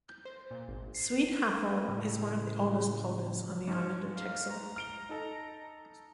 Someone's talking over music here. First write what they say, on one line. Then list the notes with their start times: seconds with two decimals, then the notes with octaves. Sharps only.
Zuid Haffel is one of the oldest polders on the island of Texel.
0.09 G6
0.25 C5
0.51 A#2
0.68 G#1
0.94 C7
1.88 A2 C#3
3.68 G#2 C#4
4.16 F5
4.50 A#5
4.76 F6 D7 G7
5.09 D#4 A4